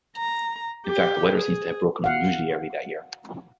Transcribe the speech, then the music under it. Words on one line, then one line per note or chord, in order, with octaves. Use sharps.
In fact the weather seems to have broken unusually early that year.
A#5
G4
G#4
F5 F#5